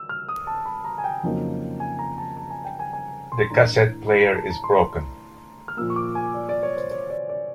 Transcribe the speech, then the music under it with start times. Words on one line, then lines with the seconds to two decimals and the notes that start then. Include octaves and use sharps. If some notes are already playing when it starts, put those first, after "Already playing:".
The cassette player is broken.
Already playing: E6
0.09 F6
0.28 D#6
0.47 A5
0.66 B5
0.85 A#5
0.98 G#5
1.04 G5
1.23 F2 C#3 F#3 A#3 D#4
1.80 G#5
1.99 A#5
2.18 A5
2.37 A5
2.50 G#5
2.65 G5
2.79 G#5
2.93 G#5
3.32 C6
3.50 A2 E3 A3 D4 A#5
4.07 B5
4.21 A#5
4.36 A5
4.50 A#5
4.64 C6
5.68 F6
5.77 A#2 F3 A#3 E6
5.90 C#6
5.96 D6
6.15 G#5
6.34 D5
6.49 D5
6.63 C#5
6.77 C5
6.91 C#5
7.10 D5
7.29 D5